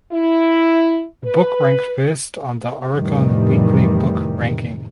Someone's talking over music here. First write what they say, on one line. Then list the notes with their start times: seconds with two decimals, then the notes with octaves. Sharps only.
The book ranked first on the Oricon weekly book ranking.
0.11 E4
1.25 B4
2.95 F2 A2 C3 D#3 E3 G3